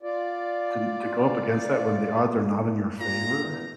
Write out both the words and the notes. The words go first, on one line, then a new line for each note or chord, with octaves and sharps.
to to go up against that when the odds are not in your favor,
F4 D5
A#2 A#5
E2